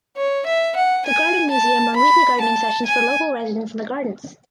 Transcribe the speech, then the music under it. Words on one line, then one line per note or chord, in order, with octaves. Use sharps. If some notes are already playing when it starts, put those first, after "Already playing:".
The Garden Museum run weekly gardening sessions for local residents in the gardens.
C#5
E5
F#5
G#5
A5
B5
A5
G#5